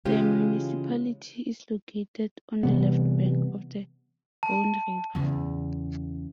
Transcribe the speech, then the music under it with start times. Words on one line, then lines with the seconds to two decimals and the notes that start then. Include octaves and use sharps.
The municipality is located on the left bank of the Rhone river.
0.05 C#3 E3 G#3 C#4 F4 G4
2.63 C3 E3 G3 B3
4.43 A5
5.15 E2 C#3